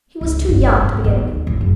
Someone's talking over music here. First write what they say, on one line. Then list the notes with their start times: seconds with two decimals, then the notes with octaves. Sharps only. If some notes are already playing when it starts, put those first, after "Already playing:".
He was too young, to begin with.
0.21 C#2
0.49 G1
0.81 G#1
1.04 B3
1.18 D#2
1.47 A1
1.61 F#1